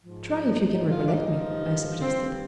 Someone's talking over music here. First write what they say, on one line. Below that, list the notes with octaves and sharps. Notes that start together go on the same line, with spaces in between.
"Try if you can recollect me," I suggested.
G#2 F3
G#2 F3 D#4
F4
D4
D#4
G2 F3
G2 F3 C4